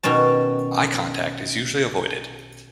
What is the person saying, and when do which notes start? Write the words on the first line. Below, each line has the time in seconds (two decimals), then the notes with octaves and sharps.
Eye contact is usually avoided.
0.03 B2 D#3 C#4 A5